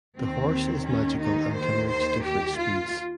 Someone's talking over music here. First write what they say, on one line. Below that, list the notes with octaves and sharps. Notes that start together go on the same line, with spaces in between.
The horse is magical and can reach different speeds.
D#2 D#3 C4
C#4
D#4
C5
C5
G4
F4